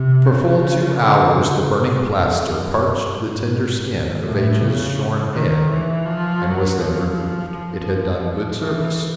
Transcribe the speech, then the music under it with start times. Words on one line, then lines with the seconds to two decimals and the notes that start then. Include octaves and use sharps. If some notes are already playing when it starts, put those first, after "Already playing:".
For full two hours the burning plaster parched the tender skin of H--'s shorn head, and was then removed; it had done good service.
Already playing: C3
0.25 C#3
0.98 D3
1.34 C#3
1.70 G2
2.06 F2
2.43 F#2
2.79 G2
3.15 G#2
4.24 A2
4.61 C#3
5.33 D#3
5.70 E3
6.05 F3
6.42 F#3
6.78 F3
7.51 F3
8.60 E3